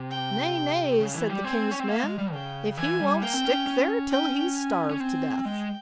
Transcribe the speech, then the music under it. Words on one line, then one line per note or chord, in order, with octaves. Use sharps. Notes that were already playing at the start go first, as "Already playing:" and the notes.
'Nay, nay', said the king's men; 'if he won't stick there till he's starved to death.'
Already playing: C3
G5
C#3
E3
G3
C4 G#5
C#4
C4
A#3 F5
G#3
G3
C#3 G5
E3 G#5
G3
A#3 G5
C4
C#4
C#4
G5
G#5
C#4
C4 G#5
G#3 G5